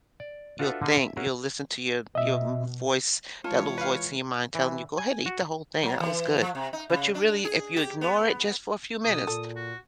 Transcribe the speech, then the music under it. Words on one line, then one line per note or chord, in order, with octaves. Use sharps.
you'll think you'll listen to your your m voice, that little voice in your mind telling you, "Go ahead eat the whole thing. That was good." But you really if you ignore it just for a few minutes,
D5
D4 F4 F#4 A4 B4 E5
D3 A#3 D#4 G#4
E5
C#4 E4 F#4 G#4 A#4
B2 D#5 E5
E3 G#3 F4 C#5 A5
B4 F5
E3
G#5
F#4
F#3
E3
F3
C3
D#4
C#3
D4
G#4
G4
B3
B2 D#6
A#2 A4
F#4